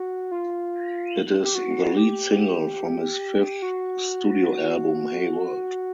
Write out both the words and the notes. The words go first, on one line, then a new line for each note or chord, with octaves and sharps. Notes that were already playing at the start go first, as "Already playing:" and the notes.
It is the lead single from his fifth studio album "Hey World".
Already playing: F#4
F4
G4
F#4
G4
F#4